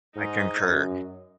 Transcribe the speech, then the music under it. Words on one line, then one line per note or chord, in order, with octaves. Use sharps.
I concur.
G#2 D#4
F#2